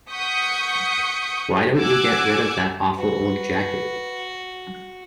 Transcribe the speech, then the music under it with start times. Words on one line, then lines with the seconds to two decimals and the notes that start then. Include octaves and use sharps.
Why don't you get rid of that awful old jacket?
0.10 F#5 C#6 D#6 G6 B6 C#7
1.77 F#5 G#5 D6 E6 F#6 G#6
2.99 F#4 B4